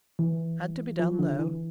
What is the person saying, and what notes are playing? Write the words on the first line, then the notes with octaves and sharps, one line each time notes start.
Had to be done, though.
E3
F3
D3
E3